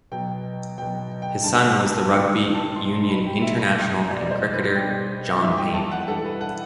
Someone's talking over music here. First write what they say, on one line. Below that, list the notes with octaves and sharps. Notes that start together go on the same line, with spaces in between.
His son was the rugby union international and cricketer John Payne.
B2 F#3 G5
B2 F#3 G5
G5
G2 D3 G3 A5
G2 D3 G3 G5
A5
B2 G3 C6
C6
B5
G5
B2 G3 E5
B2 G3 D5
D5
C5
B4
B2 G3 G5
G2 E3 G3 E5
G5
A5
F#5
G2 E3 G3 A4
B4
F#5